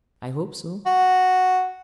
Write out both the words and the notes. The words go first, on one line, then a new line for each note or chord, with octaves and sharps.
"I hope so."
F#4